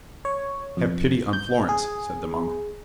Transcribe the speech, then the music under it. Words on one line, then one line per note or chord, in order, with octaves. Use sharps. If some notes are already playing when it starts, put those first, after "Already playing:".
"Have pity on Florence," said the monk.
C#5
F2
G6
G#4